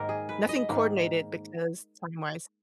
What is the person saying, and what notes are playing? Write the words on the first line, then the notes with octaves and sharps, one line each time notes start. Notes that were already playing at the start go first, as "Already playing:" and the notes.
nothing coordinated because timewise
Already playing: G#2 D#3 A#3 A#4
G#4
B4
D#5
G#2 D#3 A#3